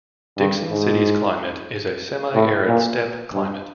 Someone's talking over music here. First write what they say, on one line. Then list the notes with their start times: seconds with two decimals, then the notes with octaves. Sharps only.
Dixon City's climate is a semi arid steppe climate.
0.37 G2
0.70 G#2
2.35 A2
2.68 A#2
3.33 G2